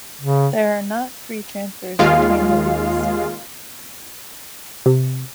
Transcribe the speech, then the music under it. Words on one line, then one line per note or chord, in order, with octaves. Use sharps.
There are not free transfers between the routes.
C#3
D#2 G#3 F4 F5
C3